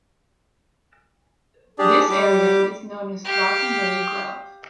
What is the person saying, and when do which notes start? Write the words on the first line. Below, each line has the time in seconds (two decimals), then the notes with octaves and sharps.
This area is known as Glastonbury Grove.
1.79 D4 G4 G#4 D5
2.09 G3 G4 D6
3.24 G4 F5